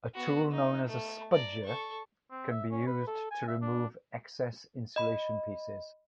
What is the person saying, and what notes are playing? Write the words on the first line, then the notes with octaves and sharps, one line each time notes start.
A tool known as a spudger can be used to remove excess insulation pieces.
B3 F#4
D#4
A3
D5 A#5
A4 C#6
C4
E5
C#4
B4
A4
G#5
E5
D4
D#5 B5